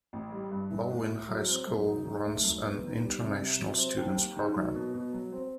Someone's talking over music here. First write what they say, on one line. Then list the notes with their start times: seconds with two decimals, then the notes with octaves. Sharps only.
Balwyn High School runs an 'International Students Program'.
0.13 A1
0.32 G3
0.51 G2
0.70 E3
0.90 A2
1.09 A2
1.28 F#3
1.48 C4
1.67 F#2
1.86 D#4
2.05 D#3
2.24 A3
2.44 F#2
2.63 B3
2.82 D#3
3.01 G3
3.21 C3
3.40 C3
3.59 F#3
3.78 C4
3.98 D#2
4.17 D#2
4.36 D#3
4.56 F#3
4.75 B2
4.94 B2
5.13 F#3
5.32 C4